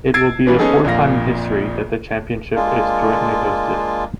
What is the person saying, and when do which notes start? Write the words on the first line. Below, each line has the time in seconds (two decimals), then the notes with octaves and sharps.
It will be fourth time in history that the championship is jointly hosted.
0.14 E6 G#6 A6 C7 D7
0.47 E3 F#3 G3 A#3 B3 C#4
0.59 B3 C#4 D#4 G#4 A4
0.84 A#1 F2 A#2 F5 A#6
2.56 G#3 A#3 D4 F4